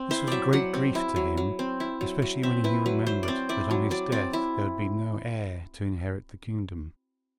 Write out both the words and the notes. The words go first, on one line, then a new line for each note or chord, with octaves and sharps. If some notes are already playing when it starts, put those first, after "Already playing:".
This was a great grief to him, especially when he remembered that on his death there would be no heir to inherit the kingdom.
Already playing: C4
E4 C5
F#3 D5 E5
F#3 F#5
C4
E4
F#3
F#3
C4
E4
F#3
F#3
C4 E5
E4 B4
F#3 B4
F#3 C5
C4 C5 D5
E4 D5
F#3
F#3 D5
C4 D5
E4